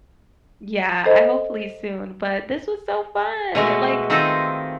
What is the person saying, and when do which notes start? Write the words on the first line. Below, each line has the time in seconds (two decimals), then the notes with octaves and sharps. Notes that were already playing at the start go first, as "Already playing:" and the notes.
Yeah, I hopefully soon, but this was so fun! Like,
1.06 A4 C5 D#5
3.55 B2 G#3 A3 F#4
4.10 D#3 C4 F4 A4 C5 D#5